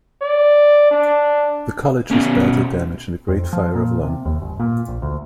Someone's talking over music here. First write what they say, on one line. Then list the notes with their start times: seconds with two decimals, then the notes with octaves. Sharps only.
The College was badly damaged in the Great Fire of London.
0.22 D5
0.91 D4
2.11 B2 C#4
3.28 F2
3.53 F3
3.75 A#2
4.04 C3
4.25 D#2
4.42 G1
4.60 A#2
4.88 A#1
5.02 D2